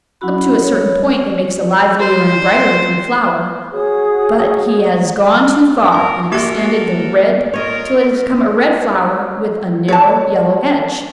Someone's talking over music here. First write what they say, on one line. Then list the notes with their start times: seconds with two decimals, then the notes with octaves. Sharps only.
Up to a certain point it makes a livelier and brighter-looking flower; but he has gone too far, and extended the red till it has become a red flower with a narrow yellow edge.
0.21 F#3 C#4 E4 F#4 B5
0.62 C#5
2.00 C5
3.72 F#4 G#4 C#5 D#6
5.92 A#4 A5
6.32 A#3 F#4 G4 A4 A#4 E5 D6
7.54 F4 A#4 C#5 D#5
9.88 C#5 A5